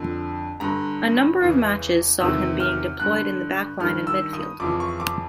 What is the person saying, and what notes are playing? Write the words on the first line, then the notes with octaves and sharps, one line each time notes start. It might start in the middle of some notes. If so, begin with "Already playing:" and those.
A number of matches saw him being deployed in the backline and midfield.
Already playing: F2 D3
G2 D3 A#5
E2 C#3 E3
E2 C3 D#3 E6
F6
G2 D3 F#6
G2 D#3 F6
E6
D#6
F2 C#3 E3 D6
C#6
D6